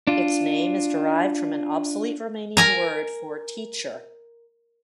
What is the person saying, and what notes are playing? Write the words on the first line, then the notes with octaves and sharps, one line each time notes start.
Its name is derived from an obsolete Romanian word for "teacher".
D4 F4
A#4 G#5 A#5